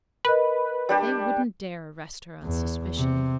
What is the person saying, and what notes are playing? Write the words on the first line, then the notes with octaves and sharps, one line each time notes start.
"They wouldn't dare arrest her on suspicion."
A#4 B4 D#5
G3 D4 G4
E2
C3